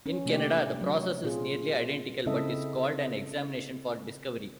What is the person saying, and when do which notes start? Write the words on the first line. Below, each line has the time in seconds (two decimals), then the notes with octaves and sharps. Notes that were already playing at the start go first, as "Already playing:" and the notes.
In Canada, the process is nearly identical but is called an examination for discovery.
0.06 C#4
0.26 C3 A3 A#3 D4 G4 D5
0.81 F#3
1.23 A#2 C4 F4 G#4
2.26 C#3 C4 E4 A4 D#5 E5